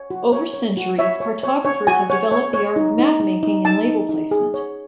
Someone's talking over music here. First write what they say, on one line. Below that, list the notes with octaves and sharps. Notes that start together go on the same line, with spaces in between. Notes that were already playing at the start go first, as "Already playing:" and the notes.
Over centuries, cartographers have developed the art of mapmaking and label placement.
Already playing: C#5
F#4
C#5
C#5
F#4
C#5 E5
C#5
C#5
C#5
F#4 G#5
C#5
C#5
C#5
D#4
D#4
D#4
D#4
D#4 A5
D#4
D#4
G#4
C#5